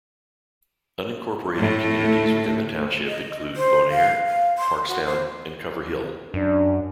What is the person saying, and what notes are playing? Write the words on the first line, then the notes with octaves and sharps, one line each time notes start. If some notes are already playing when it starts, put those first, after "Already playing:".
Unincorporated communities within the township include Bon Air, Parkstown, and Cover Hill.
A2 A3
D#5
C5
F5
F5
C6
F#4
C5
F#2 D4